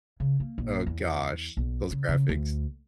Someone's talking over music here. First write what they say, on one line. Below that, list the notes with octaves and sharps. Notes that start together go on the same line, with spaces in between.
Oh gosh, those graphics.
C#3
A#3
A#1
E2
B1
C#3
C#3
D2